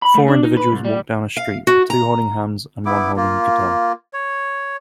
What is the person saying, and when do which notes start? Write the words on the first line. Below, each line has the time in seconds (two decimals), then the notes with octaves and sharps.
Four individuals walk down a street, with two holding hands and one holding a guitar.
0.02 B5
0.15 A3
0.28 D4
0.43 D#4
0.57 B4
0.72 C2
0.85 G3
1.37 F5
1.67 F#4
1.90 A#5
2.86 B3 E4 D6
3.16 A#3 F4
4.13 C#5